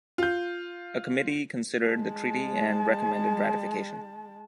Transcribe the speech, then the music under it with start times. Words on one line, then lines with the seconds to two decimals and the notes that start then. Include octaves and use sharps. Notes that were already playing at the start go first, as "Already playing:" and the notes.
A committee considered the treaty and recommended ratification.
0.18 F4 G6
1.87 G#3 A5